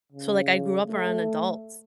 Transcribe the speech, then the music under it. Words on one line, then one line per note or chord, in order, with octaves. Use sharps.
So like I grew up around adults.
C#3
A3